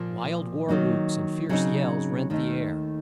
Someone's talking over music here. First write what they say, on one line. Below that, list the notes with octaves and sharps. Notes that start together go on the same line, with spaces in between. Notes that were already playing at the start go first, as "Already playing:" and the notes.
Wild war-whoops and fierce yells rent the air.
Already playing: A#2 F3 A#3 F4
D#3 F#3 A#3 D#4
C#3 F#3 C4 D#4
D#2 D#3 A3 D#4